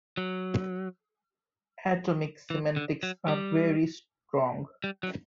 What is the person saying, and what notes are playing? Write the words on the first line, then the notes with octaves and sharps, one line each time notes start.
Atomic semantics are very strong.
F#3
E3
D3
F#3
G3
G3
F#3